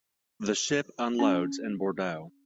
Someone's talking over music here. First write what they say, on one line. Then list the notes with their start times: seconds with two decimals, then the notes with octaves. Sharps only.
The ship unloads in Bordeaux.
1.19 C#4